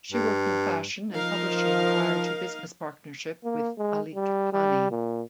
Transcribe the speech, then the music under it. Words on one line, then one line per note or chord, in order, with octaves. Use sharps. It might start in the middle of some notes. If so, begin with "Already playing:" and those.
She worked in fashion and publishing prior to business partnership with Alikhani.
G2
F3 D#4 A#4 F5
A#3
G#3
G3
G3
A#2